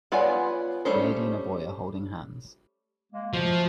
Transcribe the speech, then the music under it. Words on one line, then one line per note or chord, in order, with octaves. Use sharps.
A lady and a boy are holding hands.
B3 F4 C#5 D5 G#5
G3 A3 C#4 C5
G#3 A#3
F3 A3 F#4 C5